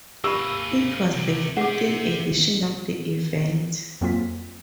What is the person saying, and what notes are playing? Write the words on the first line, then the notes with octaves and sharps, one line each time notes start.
It was the fourth edition of the event.
A#3 G4 G#4 B5 E6
C2 C3
G#4 C5 E5 F#5
F2 F#3 A#3 C4 F4 B6